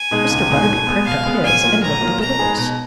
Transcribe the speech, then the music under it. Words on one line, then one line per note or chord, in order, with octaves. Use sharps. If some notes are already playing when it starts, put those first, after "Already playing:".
Mr. Butterby pricked up his, and looked at the witness.
Already playing: G#5
B2 G#3 D#4 G#4
C#2
B2 G#3 D#4 G#4
B2
G#3 B3
B2 F5
G#3 B3
A#1 G#5
A#2 F#3 A#3 F4
A#1 A#5
A#2 F#3 A#3 F4
B2 A#5
G#3 D#4 G#4 B4
B2